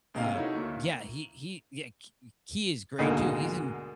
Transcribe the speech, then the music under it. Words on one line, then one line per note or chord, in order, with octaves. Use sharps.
Uh, yeah, he he yeah, h he is great too, he's in
C#2 C3 A#3 D4 D#5 F5
D#4 E4 F#4 A4 C#5 E5
D2 A#3 E5 A#5
D2 G#2 B2 D3 G#3 A#3